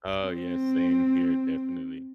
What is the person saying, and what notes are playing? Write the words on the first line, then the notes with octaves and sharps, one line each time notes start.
Oh, yeah, same here, definitely.
C4